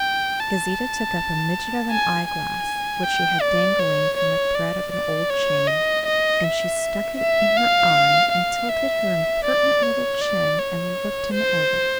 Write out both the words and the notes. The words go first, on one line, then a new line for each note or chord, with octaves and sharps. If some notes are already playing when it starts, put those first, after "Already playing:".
Gauzita took up a midget of an eyeglass which she had dangling from a thread of a gold chain, and she stuck it in her eye and tilted her impertinent little chin and looked him over.
Already playing: G5
A5
G#5
G#5
G5
D5
C#5
C#5
D5
D5
C#5
D#5
D#5
E5
E5
F5
F5
E5
D5
C#5
D5
C#5
C5